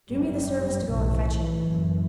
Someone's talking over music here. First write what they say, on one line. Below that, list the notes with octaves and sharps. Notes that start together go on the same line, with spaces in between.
"Do me the service to go and fetch him."
G1 F#2 G3
B1 A2 E3
F#1 F#2